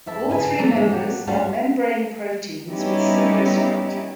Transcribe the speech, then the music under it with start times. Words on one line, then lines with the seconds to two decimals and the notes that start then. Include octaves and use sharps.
All three members are membrane proteins with similar structure.
0.06 F2 E4 E5 A5
0.29 C#3 B4 E5 G#5
0.58 D3 E3 F#3 A3 C4 C#4
0.72 E3 G#3
0.89 A2 F#3 A#3 F#4 G4
1.27 G3 A3 C#4 D4 F4 F#4
2.70 G3 B3 C#4 D#4 E4 G4